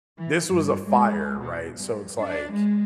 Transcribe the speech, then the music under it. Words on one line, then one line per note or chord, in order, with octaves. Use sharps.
This was a fire, right? So it's like,
E3
G2
G#3
B2
G2
D4
G#3